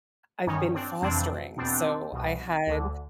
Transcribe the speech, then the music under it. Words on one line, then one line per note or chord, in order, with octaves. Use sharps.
I've been fostering. So I had
G2 D#3 C#4 D#4
C4 D4
F2 C3 E3 C4 D4
E2 B2 C4 D4
C2 B2
D2 D3